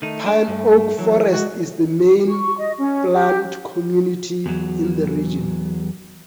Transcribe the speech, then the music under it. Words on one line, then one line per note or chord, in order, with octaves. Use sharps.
Pine–oak forest is the main plant community in the region.
D#3 A3 D#4
D4
G2
E3 F#3
G#3 F#4
C#6
D#5
C#4
G4
E2 F#3